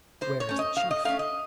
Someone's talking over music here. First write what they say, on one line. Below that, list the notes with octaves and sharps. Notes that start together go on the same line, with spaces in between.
"Where is the chief?"
A2 C5
C#5
A3 C#4
D#5
A2 F5
D#5
A3 C#4 F5
D#5